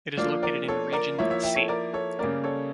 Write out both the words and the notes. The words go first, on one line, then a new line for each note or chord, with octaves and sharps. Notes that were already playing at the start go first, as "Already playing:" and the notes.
It is located in Region C.
F3 A#3 D4 F4 D5 F5
A#4 D5
A4 C#5
A#4 D5
F3 A#3 E4 C#5 E5
C#5 E5
E5 G5
A4 C#5
A#4 D5
A4 C#5
C#3 G3 A#3 C#4 A#4 D5
A4 C#5